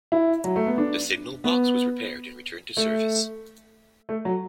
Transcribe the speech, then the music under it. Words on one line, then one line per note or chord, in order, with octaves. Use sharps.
The signalbox was repaired and returned to service.
E4
F#3
A3
B3
D4
B3
A3
A3
F#3